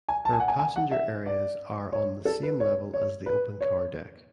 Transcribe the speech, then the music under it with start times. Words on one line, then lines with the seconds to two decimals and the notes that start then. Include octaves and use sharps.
Her passenger areas are on the same level as the open car deck.
0.08 G#5
0.25 A5
0.33 G#5
0.40 F#5
0.48 G#5
0.59 G#5
0.76 F#5
0.91 E5
1.26 D5
1.92 C#5
2.25 A4
2.43 B4
2.60 C#5
2.94 C#5
3.26 B4
3.61 C#5